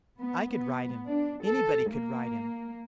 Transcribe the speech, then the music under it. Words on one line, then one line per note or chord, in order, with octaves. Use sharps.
I could ride him; anybody could ride him.
B3
B3
D4
A4
A#3